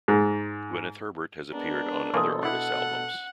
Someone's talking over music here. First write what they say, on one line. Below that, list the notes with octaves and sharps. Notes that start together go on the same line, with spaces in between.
Gwyneth Herbert has appeared on other artists' albums.
G#2
G#3 B3 D4 A#4
B2 E3 A#3 A4 D5 C6 D#6
D4 E4 F#5